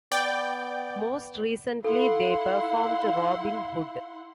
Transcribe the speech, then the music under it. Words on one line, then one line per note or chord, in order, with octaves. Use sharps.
Most recently they performed Robin Hood.
B3 D5 G5
E4 A4 F5 F#5 C6